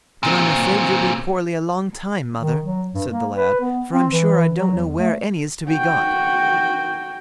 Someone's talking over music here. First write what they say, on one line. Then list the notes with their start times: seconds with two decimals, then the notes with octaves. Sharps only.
'Then I'm afraid you'll be poorly a long time, mother', said the lad, 'for I'm sure I don't know where any is to be got.'
0.23 A#2 C4
2.40 D#3
2.64 F#3
2.94 G2
3.12 A#3
3.35 B4
3.61 B3
3.92 C4
4.11 E3
4.56 F#3
4.75 E2
4.98 A3
5.70 F#4 G5